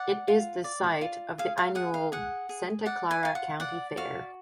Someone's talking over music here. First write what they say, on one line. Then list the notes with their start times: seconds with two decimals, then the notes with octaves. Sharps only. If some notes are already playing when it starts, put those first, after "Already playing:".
It is the site of the annual Santa Clara County Fair.
Already playing: D5 F#5
0.28 F4
0.64 D5
1.01 F4
1.38 G#4 F5
1.58 F5
1.75 G#4 F#5
1.94 F5
2.12 G#4 F#5
2.49 G#4
2.86 D5 F#5
3.11 G#5
3.23 F4 G#5
3.35 F#5
3.60 D5 F#5
3.97 F#4 F5